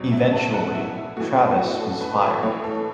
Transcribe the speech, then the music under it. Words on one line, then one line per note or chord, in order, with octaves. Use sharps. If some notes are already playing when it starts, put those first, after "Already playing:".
Eventually, Travis was fired.
Already playing: E2 B2 F#3 C#5
E5
A5
F#5
E4
E4
A2 E3 F#4
E4
F#4
A4
B4
E5
A2 E3 C#5
A4